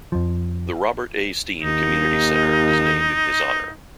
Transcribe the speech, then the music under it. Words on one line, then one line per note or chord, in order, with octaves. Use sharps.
The Robert A. Steen Community Centre is named in his honour.
F2 F3
D#2 D#4